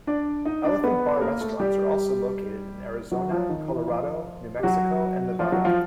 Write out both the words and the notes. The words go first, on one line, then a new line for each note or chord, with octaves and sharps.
Elephant Bar Restaurants are also located in Arizona, Colorado, New Mexico, and Nevada.
D4 D5
D#4 D#5
D4 D5
B3 B4
A4
A#3 A#4
A3 A4
G3 G4
F#3 F#4
F3 F4
D#3 D#4
E3 E4
F3 F4
G4
F#3 F#4
F3 F4
F#3 F#4
F3 F4